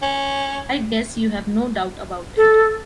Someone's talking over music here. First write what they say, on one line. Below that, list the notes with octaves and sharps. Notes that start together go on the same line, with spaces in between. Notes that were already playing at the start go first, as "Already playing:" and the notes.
I guess you have no doubt about it.
C#4
A4